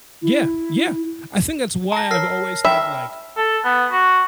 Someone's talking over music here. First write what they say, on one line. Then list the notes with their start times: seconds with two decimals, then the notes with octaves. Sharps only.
Yeah, yeah, I think that's why I've always had like
0.22 E4
1.92 A5 A#5 A#6
2.11 A#4 C#5 F6 A#6 C7
2.65 E5 G5 B5
3.37 A4
3.65 B3
3.92 F#4